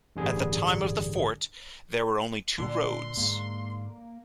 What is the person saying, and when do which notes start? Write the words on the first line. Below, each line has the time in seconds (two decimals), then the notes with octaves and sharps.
At the time of the fort, there were only two roads.
0.16 A1 G2 D3 G3 G#4 G#5
2.58 A#2 D3 C6
3.17 G#2 A#3